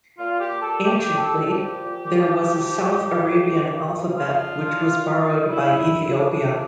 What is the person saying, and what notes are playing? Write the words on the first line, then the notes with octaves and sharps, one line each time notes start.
Anciently, there was a South Arabian alphabet, which was borrowed by Ethiopia.
A#2 F4
G4
A#2
A4
A#2 G4
A#2 A4
F3 G4
A#2
F3
F3
A2
A2
E3
E3
F3 F4
A#2
A#2
A#2
A#2 E4
A#2
F3 D4
F3